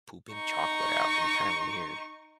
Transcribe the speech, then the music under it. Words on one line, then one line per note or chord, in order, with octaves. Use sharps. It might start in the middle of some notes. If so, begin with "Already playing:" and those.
pooping chocolate out? It'd be kinda weird.
D#4 C#6